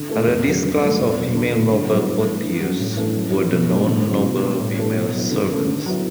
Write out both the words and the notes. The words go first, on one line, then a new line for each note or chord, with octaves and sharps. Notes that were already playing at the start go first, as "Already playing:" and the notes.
Under this class of female noble courtiers, were the non-noble female servants.
Already playing: D3
A3 E4
E2
C#3 F#3
G2
F#3 A3
E2
B2 F#3
D3
A3 E4
G2
F#3 B3 E4
G2
E3 A3
G2
F#3 C#4
A2
E3 A3 D4
F#2
E3 B3
B2
A3 D4
D3
F#3 C#4 E4
B2
G3 D4
A2
E3 A3 D4
B2
F#3 B3 E4
D3
A3 C#4
D3
F#3 B3 E4